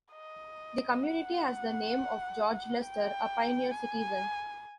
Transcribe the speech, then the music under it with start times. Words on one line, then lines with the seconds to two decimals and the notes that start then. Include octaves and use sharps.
The community has the name of George Lester, a pioneer citizen.
0.12 D#5
1.03 F#5
2.81 G5
3.72 G#5